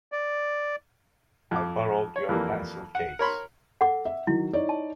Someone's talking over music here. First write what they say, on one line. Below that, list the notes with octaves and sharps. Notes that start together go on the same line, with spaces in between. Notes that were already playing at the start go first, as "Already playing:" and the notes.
I borrowed your pencil case.
D5
F2 D6
C#5
F2 E3 G3 A#3
F#5
A#4 C#5 B5 C6
A4 F#5 D6
E5
D#3 F#3 E4
D#4 C#5 D5
A5